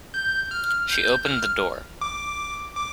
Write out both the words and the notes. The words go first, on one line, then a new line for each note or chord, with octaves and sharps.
She opened the door.
G6
F6
G6
F6
D6
D6